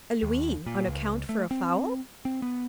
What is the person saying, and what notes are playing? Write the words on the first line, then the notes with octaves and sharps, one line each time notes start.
"A louis on account for a fowl?"
D#2
A#2
C#2
A3
C4
C4
B3